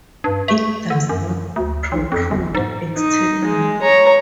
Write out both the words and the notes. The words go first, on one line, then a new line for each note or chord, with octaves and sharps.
It does not protrude externally.
G2
A3
D3
F#2
D2
B1
F2
G1
G#2
D#4
G#3
C#5 A#5